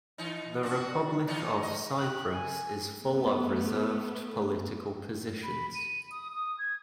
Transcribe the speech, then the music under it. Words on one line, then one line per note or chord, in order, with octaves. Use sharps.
The Republic of Cyprus is full of reserved political positions.
E3 D#4
D4 F#4
E3 D4 D#4
D#5
G4 F#6
G#5
A3 B3
B5
D#7
D#6
D#6
G#6